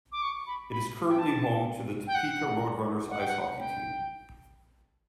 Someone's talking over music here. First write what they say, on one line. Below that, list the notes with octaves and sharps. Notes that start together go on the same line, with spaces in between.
It is currently home to the Topeka Roadrunners ice hockey team.
D6
C#6
B5
B5
G5
A5
G5
F#5
F#5
G5
F#5
G5